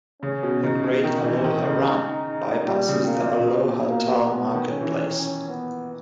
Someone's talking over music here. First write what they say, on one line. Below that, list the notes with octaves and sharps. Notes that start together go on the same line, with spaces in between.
The Great Aloha Run bypasses the Aloha Tower Marketplace.
C#3 C#4
B2
C#3 D#4
B2
D#3
E3
D#3
C#3
A#2 G3
C#3
B2
A#3
A#2
A#2
B2
A#2
B2 A#3
B2
B2 B3
D#3
C#4
E3
C#4
B3